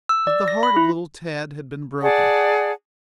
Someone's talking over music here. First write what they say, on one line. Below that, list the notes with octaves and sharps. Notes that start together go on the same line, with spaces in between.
But the heart of little Tad had been broken.
E6
D5
A#6
B5
E4
G#4 D5 F#5 A5